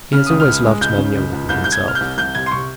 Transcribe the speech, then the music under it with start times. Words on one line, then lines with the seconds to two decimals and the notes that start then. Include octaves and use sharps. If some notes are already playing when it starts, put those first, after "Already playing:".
He has always loved men younger than himself.
0.13 C#3 F6
0.26 C#2 D#6
0.40 F6
0.47 C#2
0.64 G#3
0.81 C#2 G6
0.98 C#3
1.16 C#2
1.33 C#2
1.49 C2 G6
1.64 C2 G6
1.72 G#6
1.84 C2 F6
1.95 G6
2.00 C2
2.18 C2 G6
2.35 C3 G#6
2.46 C6
2.51 C3 C#6